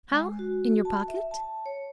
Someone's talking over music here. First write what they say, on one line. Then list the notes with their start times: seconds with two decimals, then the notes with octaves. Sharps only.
"How--in your pocket?"
0.11 G#3
0.39 F#4
0.85 A5
1.08 E5
1.31 A5
1.66 C#5